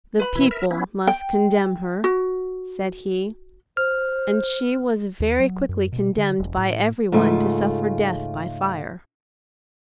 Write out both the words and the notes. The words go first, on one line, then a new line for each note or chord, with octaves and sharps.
"The people must condemn her," said he, and she was very quickly condemned by everyone to suffer death by fire.
B4 B5
B2 E3 E4
A#4 E5
B3 C#4 E4
G5
F#4
C5 F6
D#2
F#3
F#2
B2
D3
E1
A2
G#2 C#3 A3 F4